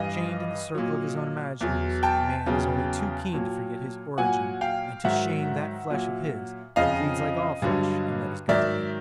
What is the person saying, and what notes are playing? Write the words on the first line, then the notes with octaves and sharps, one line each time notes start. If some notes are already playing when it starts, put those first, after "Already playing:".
Chained in the circle of his own imaginings, man is only too keen to forget his origin and to shame that flesh of his that bleeds like all flesh and that is good to eat.
Already playing: G2 E3 D#5 F5
A#2 F#3
E2 B2 F#3
G5 A5
E2 C#3 F#3
A#2 F#3
A#2 F#3 F#5 G#5
F5 G5
G#2 D#3 F#3 E5 F#5
A#2 F#3
F2 C#3 F3 D#5 F5
G2 D3 F#3
G#2 D#3 F#3 D5 E5